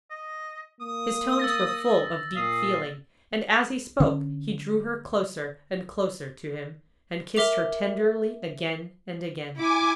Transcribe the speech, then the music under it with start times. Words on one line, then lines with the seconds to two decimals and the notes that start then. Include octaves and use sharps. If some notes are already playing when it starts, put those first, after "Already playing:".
His tones were full of deep feeling, and as he spoke he drew her closer and closer to him and kissed her tenderly again and again.
0.10 D#5
0.81 A#3 D#6
1.39 E6 A6 A#6
2.36 A#2 F5 D#6
4.00 D3 C#4
7.37 A#4 E5 D6 F7
9.56 E4 G#5 D6